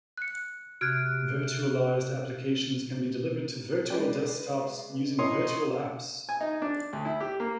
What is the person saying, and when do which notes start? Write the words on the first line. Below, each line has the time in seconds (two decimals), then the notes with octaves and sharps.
Virtualized applications can be delivered to virtual desktops using Virtual Apps.
0.18 F#6 C#7
0.81 C3 F#4 F6 F#6 G#6 D7
3.90 G#3 C#4 B4 D5 G5
5.19 C#4 E4 A#4 C#5 D#5 C6
6.29 G#5
6.41 D#4
6.62 D4
6.93 D2
7.05 E4
7.20 G4
7.40 A#3